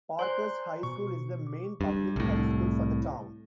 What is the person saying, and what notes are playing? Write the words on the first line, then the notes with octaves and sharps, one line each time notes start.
Parkes High School is the main public high school for the town.
C5 D5 G#5 A#5 C6 F#6
B2 C#6
D6
G2
C2 A2